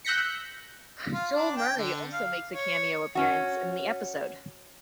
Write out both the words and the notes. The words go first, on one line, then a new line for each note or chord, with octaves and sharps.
Joel Murray also makes a cameo appearance in the episode.
E6 F#6 G6 A#6 B6 C#7
F4
D4
G5
D3
F5
C#5
C#4 F#4